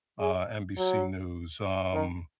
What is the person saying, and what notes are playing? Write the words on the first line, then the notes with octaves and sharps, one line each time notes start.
uh, NBC News, um,
G#4
F#3
D#3